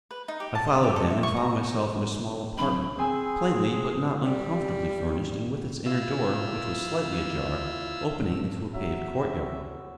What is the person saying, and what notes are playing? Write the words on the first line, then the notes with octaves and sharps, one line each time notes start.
I followed him, and found myself in a small apartment, plainly but not uncomfortably furnished and with its inner door, which was slightly ajar, opening into a paved courtyard.
B4
D#4
G4
A5
D#5
G4
A4
E5
C#6
A#5
A4
F#3 C4 D4 B5
C4 G#4 G#5 E6
G3
E4 F4 E6
F#3 E5